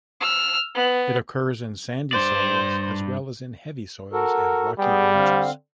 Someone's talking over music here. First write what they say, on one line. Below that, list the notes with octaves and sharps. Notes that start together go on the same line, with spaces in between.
It occurs in sandy soils as well as in heavy soils and rocky ranges.
E6 F6
B3
G2 C5 D5
F#4 A4 A#4
G3 B3 G#4 G5
D3 C4 F5